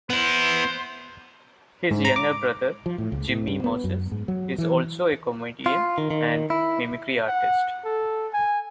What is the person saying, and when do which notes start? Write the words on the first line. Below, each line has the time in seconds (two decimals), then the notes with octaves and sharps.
His younger brother, Jimmy Moses, is also a comedian and mimicry artist.
0.10 B3 E4 C5
1.91 G#2
2.05 A#5
2.16 D6
2.86 F3
2.98 A2
3.12 C#2
3.29 A2
3.47 G2
3.64 B3
3.84 F#2
4.12 G#2
4.28 F#3
4.58 E3
5.66 F4
5.98 D#3
6.11 D#3
6.50 E4
7.28 F#5
7.85 A4
8.33 G#5